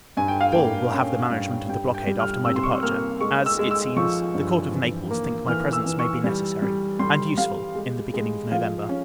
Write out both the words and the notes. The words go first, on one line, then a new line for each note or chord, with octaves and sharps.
Ball will have the management of the blockade after my departure; as, it seems, the Court of Naples think my presence may be necessary, and useful, in the beginning of November.
G2 G#5
G5
F5
A#3 G5
C#4
G2
G3 G5
G5
G3
F6
C3 E6
C6
C#6
A#3 F6
G#3 C#6
E6
G#3
E6
F3 C#6
G2
E3
A#3
E3 F6
E6
E3
C#6
G3
G3
G3 C6
G3 F5
G#3
G#3
F3 F5
C#4